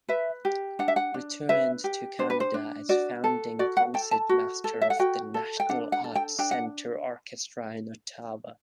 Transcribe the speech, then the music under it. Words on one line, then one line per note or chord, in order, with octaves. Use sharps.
Returned to Canada as founding Concertmaster of the National Arts Centre Orchestra in Ottawa.
B4 E5
G4
D4 F#5
E5
F#5
D4
B4 E5
G4
D4 C5
B4
C5
D4
F#4 D5
A4
F#4 D5
F#5
A4 G5
A5
F#4
A4
E5
F#5
F#4 G5
A4
G5
D4 F#5
F#5
A4
G5
D4 G5
F#5